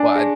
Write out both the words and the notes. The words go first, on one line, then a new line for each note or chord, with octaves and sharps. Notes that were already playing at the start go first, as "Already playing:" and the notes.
Well, I
Already playing: D4 G#5
G#4